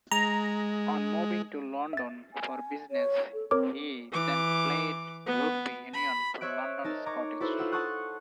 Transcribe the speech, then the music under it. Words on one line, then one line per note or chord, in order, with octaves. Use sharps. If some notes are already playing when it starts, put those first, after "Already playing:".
On moving to London for business he then played rugby union for London Scottish.
G#3 A#5
E5 A6
G#5
C#5
A4
C4 A#4 C#5 D6
E3 D6
B3
B5
C5 C#5 E5 F#6 D7
D#4 A#4 A5
C#5 A#5 D6
E4 F#4 A4 B4 C5
F4 F#5 E6
F#5 A5 C6 C#6 D#6 F#6